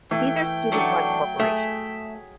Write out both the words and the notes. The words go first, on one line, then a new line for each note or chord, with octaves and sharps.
These are student-run corporations.
E3 A3 G5
F#3 A3 C#4 D4
A3 G#4 E5